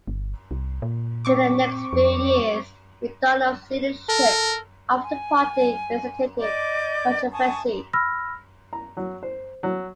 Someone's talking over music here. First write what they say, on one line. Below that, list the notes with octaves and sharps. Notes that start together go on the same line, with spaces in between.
During the next few years, McDonough's leadership of the party elicited controversy.
G1
C2
A#2
C4 C#6 D6
F2
A4 A#4
G#5
D5 D#5 D6 G6
G#5 A5 C#6 D#6
B5 E6 F6 A#6
A#5
F#3
C5
F#3